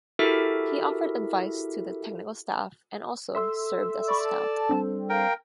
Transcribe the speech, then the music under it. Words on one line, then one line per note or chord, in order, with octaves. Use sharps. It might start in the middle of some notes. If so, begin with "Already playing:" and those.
He offered advice to the technical staff and also served as a scout.
E4 F#4 G4 A4 A#4 E5
A4 E5 C6 E6
D5 B5 C#6
A5
G3 C4 D4
A#4 F5 G5